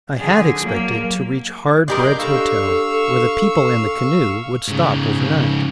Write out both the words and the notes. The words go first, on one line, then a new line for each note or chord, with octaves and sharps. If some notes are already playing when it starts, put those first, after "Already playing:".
I had expected to reach Hard Bread's Hotel, where the people in the canoe would stop overnight.
D3 G#4
F#3 A#3
D4 G4 A#4 D#5 C6 G6
A4 F5 C#6 E6
G#2 C#3